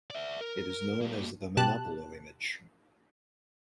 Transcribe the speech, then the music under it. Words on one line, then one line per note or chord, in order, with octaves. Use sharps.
It is known as the Manoppello Image.
D5 E5
A#4
G3 A#3
B2 G4 A5 F#6